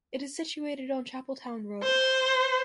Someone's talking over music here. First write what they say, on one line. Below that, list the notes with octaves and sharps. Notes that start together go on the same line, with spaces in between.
It is situated on Chapeltown Road.
C5